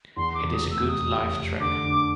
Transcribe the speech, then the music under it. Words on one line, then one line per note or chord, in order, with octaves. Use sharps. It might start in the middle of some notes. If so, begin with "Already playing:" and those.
It is a good live track.
E2 C6
D6
E2
D#6
F1
E6
C3 D#6
C3
F1
D3 D6
D4